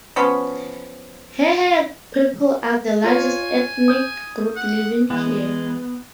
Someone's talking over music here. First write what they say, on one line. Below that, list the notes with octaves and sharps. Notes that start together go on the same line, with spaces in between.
Hehe people are the largest ethnic group living here.
F3 B3 C#4 B5
F4 C#5 G#5
D#6 G6
F#5
E3 G#3 B3